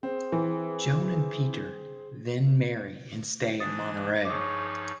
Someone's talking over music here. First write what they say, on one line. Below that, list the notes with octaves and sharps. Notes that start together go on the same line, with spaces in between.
Joan and Peter then marry and stay in Monterey.
C4 G#4
E3
E3 D4 D#6 A6
G2 F3 D#4 G#4 C#5 D6 D#6